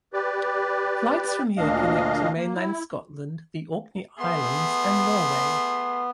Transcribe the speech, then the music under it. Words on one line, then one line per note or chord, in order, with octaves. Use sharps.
Flights from here connect to mainland Scotland, the Orkney Islands and Norway.
G4 B4 D5
D2 A#2 D4 D#5 F5
A#3
E4
A3 B3 G#4 C6